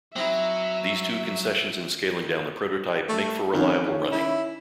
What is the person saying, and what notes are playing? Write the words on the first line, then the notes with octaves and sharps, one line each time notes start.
These two concessions in scaling down the prototype make for reliable running.
F#3 C4 D#4 E4 E5
A3
F2 D#3 C#4
E4